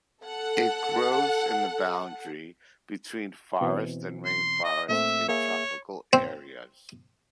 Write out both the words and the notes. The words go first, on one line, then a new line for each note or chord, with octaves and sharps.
It grows in the boundary between forest and rainforest in tropical areas.
A4 F#5
B2 E3 C4
C6
D#5
A#2 A3 C4 E5
A#3 G#4 C#5 E5
C4